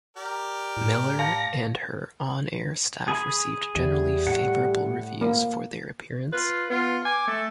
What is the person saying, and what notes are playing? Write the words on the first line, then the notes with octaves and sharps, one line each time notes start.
Miller and her on-air staff received generally favorable reviews for their appearance.
G4 A#4 D5
A2
F5 A5 A#6
G#4 G#5 B5
E2 G3
A2 F#5
A#3
F4 B4
B3 F4
G#5 D6
A3 A4